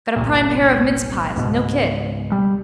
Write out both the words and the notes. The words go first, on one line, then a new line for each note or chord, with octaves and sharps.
Got a prime pair of mincepies, no kid.
G1 C2 A#2
C#2 G#2 B2
G3